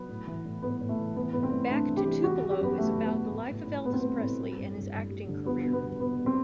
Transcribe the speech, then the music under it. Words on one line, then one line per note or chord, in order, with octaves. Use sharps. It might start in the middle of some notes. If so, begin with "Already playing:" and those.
"Back to Tupelo" is about the life of Elvis Presley and his acting career.
Already playing: F#3 B3
A2
E3
A2
A2 B3
A2
A3
E3
E3 B3
A2 B3
C4
A2
A3 D4
E3
G4
E3
E3 F#4
E3
G4
F#2 B3
E3 A3
F#2
B3
A3
A2
A2
A2
A2 B3
C4
A3 B3
A2
G3
G2
G2
G2
G3
D3
G3 B3
B2
B3
G3
B2 B3
G3
C4